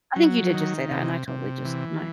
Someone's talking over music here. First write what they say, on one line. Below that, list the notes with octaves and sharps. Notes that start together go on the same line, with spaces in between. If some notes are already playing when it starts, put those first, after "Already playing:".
I think you did just say that, and I totally just my
F#3
D#3
C3
C3
E3